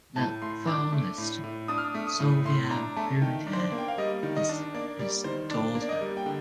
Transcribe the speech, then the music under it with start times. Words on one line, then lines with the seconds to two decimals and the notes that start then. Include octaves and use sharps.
The violist Sophia Reuter is his daughter.
0.16 A2 A5
0.42 A2 C6
0.67 D4 D6
0.92 A3 D6
1.18 A2
1.44 A2
1.68 D4 D#6
1.78 F6
1.85 D#6
1.95 A3
2.07 D#6
2.20 A2
2.45 A2 C6
2.70 D4 A#5
2.97 A3 A5
3.21 D#3 G5
3.47 D4
3.53 C5
3.60 D5
3.72 A#3
3.78 G5
3.88 F5
3.98 G3 D#5
4.23 D#3
4.36 D#5
4.49 D4
4.74 A#3 D5
4.99 G3 D5
5.24 D#3 C5
5.50 D4 D5
5.75 A#3
5.82 D5
5.89 D#5
6.01 G3
6.17 G5
6.26 D3